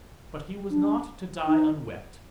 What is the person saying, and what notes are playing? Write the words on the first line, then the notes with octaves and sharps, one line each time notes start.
But he was not to die unwept.
D4
D#4